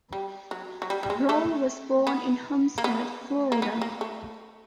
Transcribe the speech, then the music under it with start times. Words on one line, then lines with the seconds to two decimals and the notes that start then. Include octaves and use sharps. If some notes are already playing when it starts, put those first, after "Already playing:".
Rolle was born in Homestead, Florida.
0.13 G3
0.51 F#3
0.82 F#3
0.90 G3
1.03 G3
1.10 G#3
1.29 A3
2.07 B3
2.78 A#3
2.84 B3
3.52 A#3
3.62 B3
3.82 A#3
4.01 A3